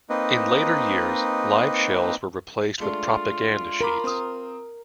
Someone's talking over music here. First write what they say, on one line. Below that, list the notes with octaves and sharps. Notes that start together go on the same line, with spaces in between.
In later years, live shells were replaced with propaganda sheets.
A#3 C4 D#4 B4 D#5
G#3 A3 D4 F4
A#4 A#5 B5 D6
C4 D#6